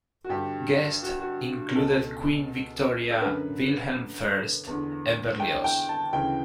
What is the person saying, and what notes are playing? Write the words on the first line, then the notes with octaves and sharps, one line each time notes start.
Guests included Queen Victoria, Wilhelm I, and Berlioz.
F#4
G2 D3 G4
F#4
F#4
C#2 B2 A4
A4
F#2 D3 B4
E2 D3
G5
G5
A5
D2 C#3 E3 G5